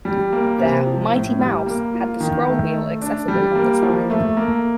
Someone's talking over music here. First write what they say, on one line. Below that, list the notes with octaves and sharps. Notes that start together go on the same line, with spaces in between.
Their "Mighty Mouse" had the scroll wheel accessible on the side.
G3
A#3
C3
F3
A2
G3
A#3
F4
D#3
A3
A3
D4
G3
A#3
F3
A3
A#3